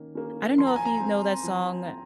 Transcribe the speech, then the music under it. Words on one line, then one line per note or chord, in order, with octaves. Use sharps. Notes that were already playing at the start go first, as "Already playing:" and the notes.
I don't know if you know that song,
Already playing: D#3 A#3 C#4
A#3 C#4
F3 C6
A#5
G#5
A#5
C4
F3
C4